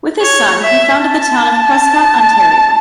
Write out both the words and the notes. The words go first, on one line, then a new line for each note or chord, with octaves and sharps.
With his son, he founded the town of Prescott, Ontario.
C#5
E5
A5